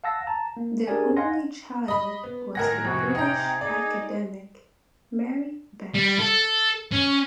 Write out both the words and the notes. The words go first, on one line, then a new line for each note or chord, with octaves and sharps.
Their only child was the British academic, Mary Bennett.
F5 F#5 A5 E6 A#6
A5 A#5
A#3
D4 G4 G#4 A#4 D5 G#5
D#5 F5 F#5 G#5 C6 A#6
D#5 B5
B3
A2 D#3 A#4 F#5 G#5 A#6
F2 C3 F#4
D#4 G5 A#5
D#4 G#4 D5
G3
A4
C#4